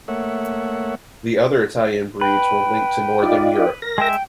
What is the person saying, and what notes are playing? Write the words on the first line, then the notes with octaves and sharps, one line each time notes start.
The other Italian breeds were linked to northern Europe.
A3 A#3 C#5 E5 F#5
B4 G5
D#4 F4 D5
A#4 A#6
G#3 E5 G5